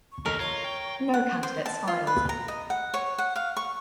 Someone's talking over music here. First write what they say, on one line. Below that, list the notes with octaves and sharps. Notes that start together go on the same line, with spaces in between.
No candidates filed.
C#6
D#2 A#4 D#5
F4 C#5 A#5 G#6 A#6
G5
F#5
C5
A5
F4
B4
A#5
D#5
F#5
C#5
F#5
F5
C#6